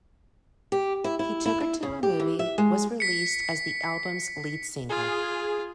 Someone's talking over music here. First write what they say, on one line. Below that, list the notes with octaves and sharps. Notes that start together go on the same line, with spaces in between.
"He Took Her to a Movie" was released as the album's lead single.
G4
E4
E4
E4
E4
C#3
G4
E3
E5
G#3
B6 C#7
F4 G#4